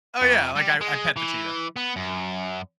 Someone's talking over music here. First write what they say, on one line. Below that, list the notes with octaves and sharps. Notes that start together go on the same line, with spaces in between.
Oh yeah, like I I pet the cheetah.
F2
G3
G#3
E3
B3
F#2